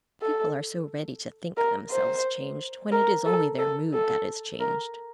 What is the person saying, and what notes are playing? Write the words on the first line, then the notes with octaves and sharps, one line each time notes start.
People are so ready to think themselves changed when it is only their mood that is changed!
A4
A#4
C5
A#4
A4
A4
A4
A#4